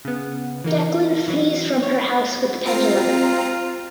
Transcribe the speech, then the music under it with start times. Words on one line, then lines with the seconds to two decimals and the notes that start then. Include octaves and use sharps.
Declan flees from her house with the pendulum.
0.05 C#3 B3
0.64 E3 A#3 D#4
1.28 E3 F#3
1.82 C#5
2.65 C4 F4 A#5 C7